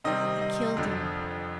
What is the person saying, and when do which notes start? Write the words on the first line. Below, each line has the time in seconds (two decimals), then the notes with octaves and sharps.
I killed him.
0.04 C3 D#3 G3 C4 D#5
0.41 D#5
0.77 F2 D3 F3